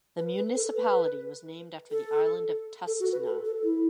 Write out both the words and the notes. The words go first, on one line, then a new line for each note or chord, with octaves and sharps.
The municipality was named after the island of Tustna.
B4
B4
A4
B4
A4
A4
F#4
B4
A4
A4
E4